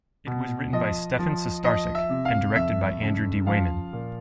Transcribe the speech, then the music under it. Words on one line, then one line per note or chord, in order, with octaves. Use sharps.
It was written by Stephen Sustarsic and directed by Andrew D. Weyman.
B2
F3 D#5
F3
F3 D#5
E5
C3
F5
F2 E5
C#3
F3 F5
A#2